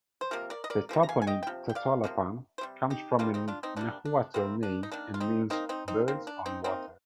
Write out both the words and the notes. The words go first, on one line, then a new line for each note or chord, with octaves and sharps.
The toponym "Totolapan "comes from a Nahuatl name and means "birds on water".
C5
C3 F3 A#3 A#4
A#4 D5
D#5
A#4 D5
C3 F3 A#3
A#5
F5 G#5
G#5
D#5 G5
G5
C3 F3
G5
D5 F5
C3 F3 A#3
C5
C3 G3
D#4 G4
C3 G3 A#3 D4 F4
C4 D#4
D4 F4
C4 D#4
C3 G3 A#3 D4
D4
C3 G3 A#3 C4
D4
D#4
D#3 A#3 D4
F4
C4 D#4
D#3 A#3 C4 D#4
C4 D#4
C4 D#4
D#3 A#3 C4
D4
C4 D#4
D#3 A#3 C4 D#4